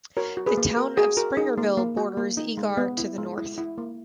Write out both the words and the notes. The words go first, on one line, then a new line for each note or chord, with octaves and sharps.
The town of Springerville borders Eagar to the north.
F#4 A#4 C#5
F#4
G#4 B4
A#3
F#4 A#4
F#4 G#4
F#4 A#4
D#4 G#4
A#3
A#3
F#4
A#3
D#4
G#3
B3
E4
G#3
E4
E4
A#3